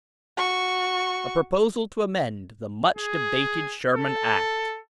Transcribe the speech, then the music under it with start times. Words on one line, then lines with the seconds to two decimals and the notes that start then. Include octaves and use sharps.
A proposal to amend the much-debated Sherman Act.
0.37 F#4 C#6
2.96 G#4
3.95 A4